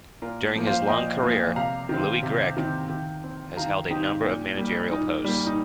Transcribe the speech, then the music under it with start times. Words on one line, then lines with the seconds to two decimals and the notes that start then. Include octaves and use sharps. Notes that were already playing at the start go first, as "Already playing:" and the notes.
During his long career, Louis Grech has held a number of managerial posts.
0.22 A#2 F4 A#4
0.56 F3 A#3
0.67 C5 F5
0.89 A#2 D#5 G5
1.23 F3 A#3
1.56 C3 F5 A#5
1.89 D#3 C4
2.23 C3
2.57 D#3 C4
2.90 D#3
3.24 C4
3.57 D#3 F5 A#5
3.90 C4 D#4 G4
4.24 A#2
4.57 G3 A#3
4.91 A#2 D#4
5.25 G3 A#3
5.46 D#4